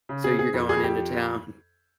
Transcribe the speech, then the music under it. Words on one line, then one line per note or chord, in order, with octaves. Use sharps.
So you're going into town
C#3
G#4
C4
G#4
F2
G#4
F2
G4